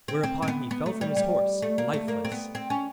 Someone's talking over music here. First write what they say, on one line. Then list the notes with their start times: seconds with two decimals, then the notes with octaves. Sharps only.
Whereupon he fell from his horse lifeless.
0.08 C4
0.23 C4
0.42 C4
0.48 B3
0.71 B3
0.86 A3
1.01 G3
1.17 G3
1.62 A3
1.78 A#3
1.93 A3
2.08 A#3
2.25 C4
2.32 B3
2.55 C4
2.70 C#4